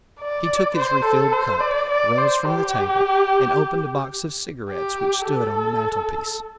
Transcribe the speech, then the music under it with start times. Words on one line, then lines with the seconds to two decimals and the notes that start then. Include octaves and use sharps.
He took his refilled cup, rose from the table, and opened a box of cigarettes which stood on the mantelpiece.
0.20 D5
0.77 C5
1.05 A4
1.33 C5
1.60 D5
1.89 D5
2.18 C5
2.46 G4
4.70 G4
5.26 A4